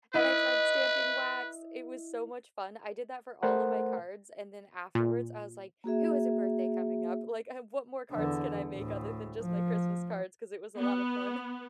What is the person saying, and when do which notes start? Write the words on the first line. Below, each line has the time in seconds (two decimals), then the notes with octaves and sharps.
and I tried stamping wax, it was so much fun, I did that for all of my cards, and then afterwards, I was like, "Who has a birthday coming up?" Like, "I what more cards can I make other than just my Christmas cards?" 'Cause it was a lot of fun.
0.14 E4 B4 D#5
3.43 A3 A#4 C5 F#5
4.95 A#2
5.84 A#3 F#4 G#4 E5
8.12 E2 D3
8.74 D2 A2
9.40 F3
10.78 B3